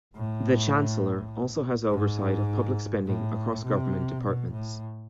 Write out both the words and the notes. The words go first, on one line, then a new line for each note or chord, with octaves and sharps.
The Chancellor also has oversight of public spending across Government departments.
A2
G#2
A2
C3
B2
A2